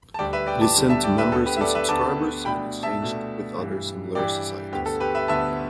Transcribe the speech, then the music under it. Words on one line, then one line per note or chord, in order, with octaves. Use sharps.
It is sent to members and subscribers, and exchanged with other similar societies.
A5
D2 D3 G3 D5 G5
B4 E5
D5 G5
A5 D6
D2 D3 G3
E5 A5
D5 G5
B4 E5
D2 D3 B3 A4
G4 B4
E5
A4 D5
B4 E5
D2 D3 B3 A5 D6
B2 A3 D4 G5 B5
E5 A5
B2 A3 D4
G2 E3 G3
G2 E3 G3 D5 G5
D2 D3 B3 G4
A4
G4 B4
B4 E5
D2 D3 B3 E5 A5